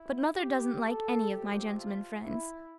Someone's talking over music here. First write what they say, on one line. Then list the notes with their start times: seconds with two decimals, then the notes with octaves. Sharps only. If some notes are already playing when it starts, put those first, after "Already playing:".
But mother doesn't like any of my gentlemen friends.
Already playing: E4
0.35 G4
0.82 A4
1.29 F2 C3 F3 G4
1.76 F4
2.23 E4